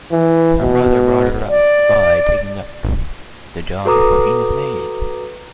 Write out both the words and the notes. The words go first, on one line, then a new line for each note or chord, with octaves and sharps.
Her mother brought her up by taking up the job of working as maid.
E3
B2
D5
F#4 A4 B4 A#5 D6 D#6